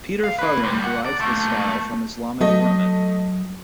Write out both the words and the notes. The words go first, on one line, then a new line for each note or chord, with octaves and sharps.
Peter Fuhring derives this style from Islamic ornament.
F5
E4 B4
D2 G3
B2 F#5
D5
A3 A#3
F#3 A3 D#5